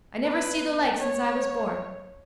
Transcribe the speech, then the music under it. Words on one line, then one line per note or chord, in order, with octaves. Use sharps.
I never see the like since I was born.
B4
C#5